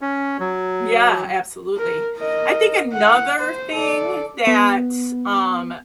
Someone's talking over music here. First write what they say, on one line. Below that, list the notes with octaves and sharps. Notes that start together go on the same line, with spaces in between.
Yeah, absolutely. I think another thing that, um,
C#4
F#3
A#4
A#4 D#5
F#5
C5
A4 D5
B3